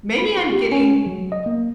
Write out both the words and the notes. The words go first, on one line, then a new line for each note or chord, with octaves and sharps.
maybe I'm getting
B5
F4
G4
C#4
F#3
D#5
A#3